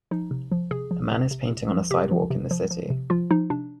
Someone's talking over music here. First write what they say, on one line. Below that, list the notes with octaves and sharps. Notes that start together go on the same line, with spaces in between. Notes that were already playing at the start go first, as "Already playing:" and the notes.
A man is painting on a sidewalk in the city.
F3 D#4
C3
F3
C3 G#4
F3
C3
C3
C3
F3
C3 G4
F3
C3
F3
F3
C3
F3 F4
F3 D#4
C3 D4